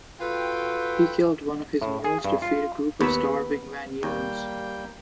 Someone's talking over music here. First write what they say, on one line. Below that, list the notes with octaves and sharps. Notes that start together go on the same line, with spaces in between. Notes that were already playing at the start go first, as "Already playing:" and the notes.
He killed one of his mules to feed a group of starving Vanyumes.
F4 F#4 A4 B4 G5
A2
G#4
G2
F4
D#2 B3 B4 E5
D#2 G3 A#3 G5